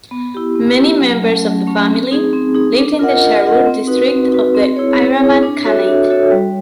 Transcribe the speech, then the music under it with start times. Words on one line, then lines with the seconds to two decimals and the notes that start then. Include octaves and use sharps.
Many members of the family lived in the Sharur District of the Iravan Khanate.
0.11 B3
0.34 E4 G4
0.55 B3
0.78 E4 G4
1.01 F#3
1.22 A3 C#4
1.45 F#3
1.67 A3 C#4
1.89 C4
2.11 D#4 G#4
2.33 C4
2.55 D#4 G#4
2.77 D4
2.99 F4 A#4 D#5 F#5
3.22 D4
3.43 F4 A#4 D#5 F#5
3.66 C4
3.87 D#4 F#4 B4
4.10 C4
4.32 D#4 F#4 B4
4.55 C4
4.77 E4 G#4 C#5
4.98 C4
5.20 E4 G#4 C#5
5.43 D4
5.65 F#4 A4 C#5 E5
5.87 D4
6.09 F#4 A4 C#5 E5
6.31 G3